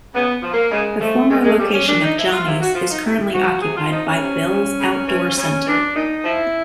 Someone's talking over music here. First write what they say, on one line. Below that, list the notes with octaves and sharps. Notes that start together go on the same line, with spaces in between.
The former location of Johnny's is currently occupied by Bill's Outdoor Center.
C#3 B3
F3
A#3
C#3 G#3
F3 A3
A#2 G#3
G#3
F3 G3
C#4
A#2 D4
D#4
F3 E4
F4
C3 E4
F#4
F3 F4
D#4
C3 E4
F3 F#4
C3 G#4
F4
F3 D#4
C#4
C3
F3
C#3
E3
C#3 C#4
E3 D4
A#2 D#4
F3 E4